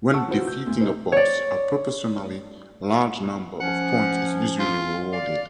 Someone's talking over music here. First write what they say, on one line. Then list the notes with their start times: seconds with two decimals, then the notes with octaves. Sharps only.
When defeating a boss, a proportionally large number of points is usually rewarded.
0.14 F#5 A5 C#6 E6
0.27 E3 F#3 F4 F#4 B4 C5
0.47 G6
0.67 D2 A2
0.81 C3 D#4 C5
1.12 C#5 D5
3.61 F3 C#4 F#5
4.60 F4
5.13 D5 F5